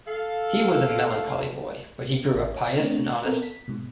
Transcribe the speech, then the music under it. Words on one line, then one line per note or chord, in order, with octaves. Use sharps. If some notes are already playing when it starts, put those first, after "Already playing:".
He was a melancholy boy, but he grew up pious and honest.
A4 F5
A1
C#5
A3 B3 C4 D4 C#5
B3 C4 A4 A#4
B6
G#2 B2